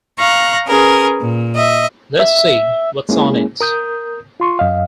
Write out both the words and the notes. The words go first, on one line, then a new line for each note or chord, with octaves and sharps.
Let's see what's on it.
F5 A#5 C#6 F#6
C#4 G#4 A#4 B4
A#2
D#5 E5
E5
G#3 A#3 C#4 E4 G#4
A#4 D#6 G6
F4 C6 C#6
F#2 D#5 F5